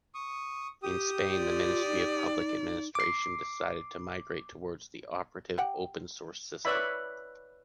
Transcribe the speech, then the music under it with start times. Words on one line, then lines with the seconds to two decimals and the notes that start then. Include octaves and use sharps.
In Spain the Ministry of Public Administration decided to migrate towards an operative open source system.
0.15 C#6 D#6
0.83 G4 D#6
1.36 F4 D5
1.87 D#4
2.95 D6 C7
5.58 G4 F#5 G5
6.65 B4 C#5 D5 E5 B5